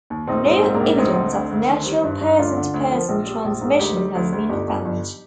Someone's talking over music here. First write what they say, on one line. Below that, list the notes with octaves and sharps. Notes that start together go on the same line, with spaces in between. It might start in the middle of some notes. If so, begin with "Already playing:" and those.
No evidence of natural person-to-person transmission has been found.
D#2
A#1 C4 D#4
G#2
C4 D#4
G#2
C4
A#3 D4
A#1
D2 C4 D#4
D3
D2
D2
D#3
G3
G2
G2
D2 D4 F4
D3
D2
F3
A#1
G3
A#1
G#2
D2 D#4 G4
G3
D2
D2
G1 D#4 G4
G1
G1